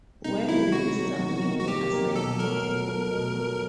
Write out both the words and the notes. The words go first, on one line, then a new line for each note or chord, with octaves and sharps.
When will you submit your assignment?
C3 D#4
D#3 F#3 A#3 E4
C3 F#4
D#3 F#3 A#3
C3
D#3 F#3 A#3
F#4
C3 G4
D#3 F#3 A#3
B2 A4
F#3 A3 A#4
B2
F#3 A3
B2
F#3 A3